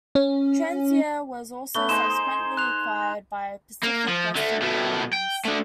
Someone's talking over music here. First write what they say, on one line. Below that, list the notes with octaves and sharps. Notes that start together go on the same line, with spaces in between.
Transair was also subsequently acquired by Pacific Western Airlines.
C#4
A3 B3 G7
D#4 G#4 C5 C6 E7
F#6 F7
A#3
F3
D3 A3
B2 A3
G5
A3 D4